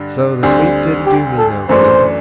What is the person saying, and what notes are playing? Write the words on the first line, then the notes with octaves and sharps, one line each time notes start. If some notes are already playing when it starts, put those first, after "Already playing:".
So the sleep didn't do me no good.
Already playing: G2 D3
D2 D3 G3 C4
G4
A4
F#2 E3 A3 D4 C5